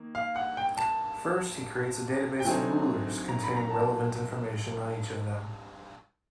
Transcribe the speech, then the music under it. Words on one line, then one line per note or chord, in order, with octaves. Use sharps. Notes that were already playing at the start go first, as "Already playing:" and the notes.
First, he creates a database of rulers, containing relevant information on each of them.
Already playing: D#3 A#3
F5
F#5
G5
A5
G5
D3 F#3 A3 C4 D#4 G#5
A#5
B5
A#5
A5